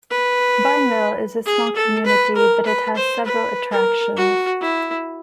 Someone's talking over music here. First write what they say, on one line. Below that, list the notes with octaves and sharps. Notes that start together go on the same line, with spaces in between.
Barnwell is a small community, but it has several attractions.
B4
G#4
A4
B4
A#4
B4
C5
B4
A#4
F#4
E4